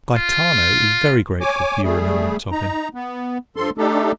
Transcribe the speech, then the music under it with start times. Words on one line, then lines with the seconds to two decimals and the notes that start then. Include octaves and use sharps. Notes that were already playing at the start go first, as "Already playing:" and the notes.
Gaetano is very grateful for your remembrance of him.
0.17 F4
1.41 C#5 G#5 D6
1.83 G3 A3 G#4
2.52 D#4 A#5
2.95 B3
3.56 G2 F3 A4 C6
3.78 A3 D4 D#4 G4 A4